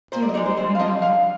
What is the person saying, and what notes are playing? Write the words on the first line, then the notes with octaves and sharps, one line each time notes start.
"Dear Ruby, I know."
A#2 C5
D5
D#5
G#3 D#4 D5
C5
D3 C5
F5
F3 C4 D#5
D3 F5